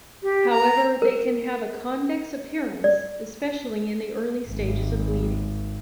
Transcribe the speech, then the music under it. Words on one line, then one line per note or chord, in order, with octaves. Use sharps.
However, they can have a convex appearance, especially in the early stage of bleeding.
G4
A#5
A#4
D5
G#1